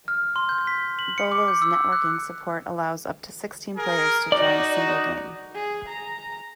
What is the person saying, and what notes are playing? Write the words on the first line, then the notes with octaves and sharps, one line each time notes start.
"Bolo"'s networking support allows up to sixteen players to join a single game.
F6
C6
G6
B6
F#7
C#7
D6
G6
E6
F#6
G#4 A#4
D#4 F#4 D5
G#4
A#5